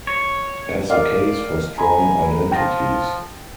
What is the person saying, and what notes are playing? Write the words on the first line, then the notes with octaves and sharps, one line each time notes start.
As the case for strong identities.
C#5
A#4 D5 D#5 F5
G#5 A#5 B5
F3 G5 A6 A#6